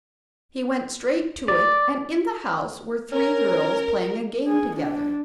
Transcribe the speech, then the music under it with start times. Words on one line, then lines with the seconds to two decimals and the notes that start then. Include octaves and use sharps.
He went straight to it and in the house were three girls playing a game together.
1.48 D5
3.12 C#4 A#4
4.47 G#4
4.77 D4